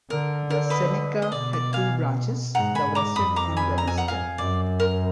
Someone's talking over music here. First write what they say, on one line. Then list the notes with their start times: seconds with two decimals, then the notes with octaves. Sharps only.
The Seneca had two branches; the western and the eastern.
0.10 D3 A#4
0.50 A#4
0.70 B4 D#5
1.22 D#5
1.32 B2 D5
1.53 D5
1.73 F5 G#5
2.55 G#2 F#5 A#5
2.75 G#5 B5
2.86 G#2
2.95 A#5 D6
3.16 F2 B5 D#6
3.36 A#5 D6
3.57 G#5 B5
3.78 A#5
3.87 G#5
3.97 F#5 A#5
4.08 F5 G#5
4.38 F#2 D5
4.80 A#4